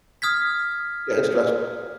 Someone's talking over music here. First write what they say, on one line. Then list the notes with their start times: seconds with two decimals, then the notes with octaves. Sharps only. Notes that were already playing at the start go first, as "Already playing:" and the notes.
Yeah, that's stress
0.22 D#6 F6 G#6 B6